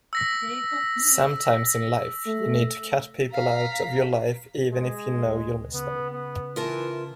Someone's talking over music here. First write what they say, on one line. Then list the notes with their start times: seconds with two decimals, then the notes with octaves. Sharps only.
Sometimes in life you need to cut people out of your life even if you know you'll miss them.
0.13 E6 A#6 B6
2.27 A3
3.33 F5 A#5 B6
4.72 G#3
5.27 D2
5.73 C#3 B3
6.11 B3
6.56 E3 F4 A#4 A5